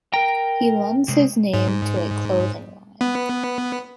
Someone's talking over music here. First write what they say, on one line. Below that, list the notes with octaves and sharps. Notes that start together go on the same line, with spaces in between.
He lends his name to a clothing line.
A#4 G5 A#5
C3 G#3
G#2
B3